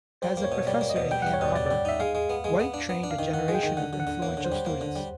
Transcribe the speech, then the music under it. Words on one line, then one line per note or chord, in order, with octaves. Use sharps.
As a professor in Ann Arbor, White trained a generation of influential students.
G3 C5
A#3
C#5
B2
C#5
G3 D5
A#3
D#5
B2
G3 G5
G3 F#5
C#5
B2 D5
G3 D5
G3 D5
D#4 E5
G#3 F5
G#3
B3
G#3
B3
D4
B3
D4
F5
D#3
D#3 F#5
G#3
G5
D#3
D3 F#5
D3
F#5
D3
A#3 C#5
D3
C5
G3
A#3
D3
G3